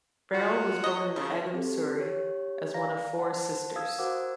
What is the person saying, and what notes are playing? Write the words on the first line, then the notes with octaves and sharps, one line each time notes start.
Beryl was born in Egham, Surrey, as one of four sisters.
F#3 F4 F#4
C#5 D#5
A#2 C#3 F#3 A3
C4 G4 A4
G4 C#5
D5 F5 A#5 A#6
C5 F#5 A5
F5 D#6 E6 G#6
F#4 A#4 C5 F#5 D6 E6